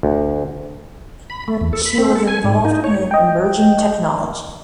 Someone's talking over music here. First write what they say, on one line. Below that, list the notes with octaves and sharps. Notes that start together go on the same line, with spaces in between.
She was involved in an emerging technology.
D2
B5
A3
E2
A4
B5
C4
A4
G#5
G#2
D#4
C#5
D#5 G5